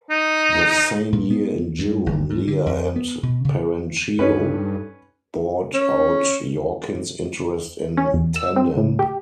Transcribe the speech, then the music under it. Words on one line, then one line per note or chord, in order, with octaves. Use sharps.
The same year in June, Lear and Perenchio bought out Yorkin's interest in Tandem.
D#4
A#2
B3
G2
G1
G#2
D3
F2
B3
B2
C#3
G2 C#4 D#4 A4 B4
C#4
C#4
E2
E6
C4
A2
G4